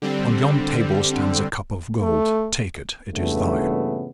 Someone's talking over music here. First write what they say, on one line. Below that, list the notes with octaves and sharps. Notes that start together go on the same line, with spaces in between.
On yon table stands a cup of gold; take it, it is thine.
D3 G3 C4
A3
G2 A#2 C#3 E3 A3 B3